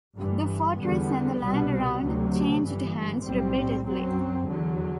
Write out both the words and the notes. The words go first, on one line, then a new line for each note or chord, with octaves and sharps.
The fortress and the land around changed hands repeatedly.
G1 G2 E3
E2 D3 G3 B3
C2 B2 G3 B3
D2 C3 F#3
G1 G2 E3
B1 A2 G3 C4
F#2 F#3 C4
E2 D3 F#3